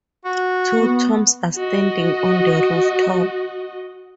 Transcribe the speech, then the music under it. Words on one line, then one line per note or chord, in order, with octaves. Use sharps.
Two tombs are standing on the rooftop.
F#4
B3
F#4 D#5